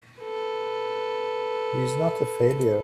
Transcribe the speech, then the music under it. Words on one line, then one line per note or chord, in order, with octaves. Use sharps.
He's not a failure!
A4 B4